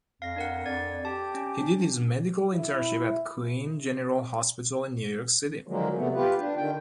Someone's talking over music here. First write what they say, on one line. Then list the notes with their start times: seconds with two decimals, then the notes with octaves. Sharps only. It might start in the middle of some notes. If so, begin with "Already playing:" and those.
He did his medical internship at Queens General Hospital in New York City.
0.22 F2 F5 A#6
0.36 D4 A#4 F#5
0.66 F2 D5 G#6
1.05 G4 A5
1.35 C#4
1.59 D4
2.53 E4
5.67 D3 D#3 F3 F#3 G#3 A#3
5.96 C3 A3 B3
6.15 F4 G4 B4
6.39 D4
6.57 D3 D#3 G5